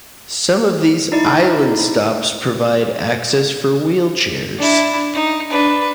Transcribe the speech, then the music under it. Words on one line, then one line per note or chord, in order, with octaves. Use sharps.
Some of these "island" stops provide access for wheelchairs.
D#4 E4 D5
D4 E4
D#4
D4 B4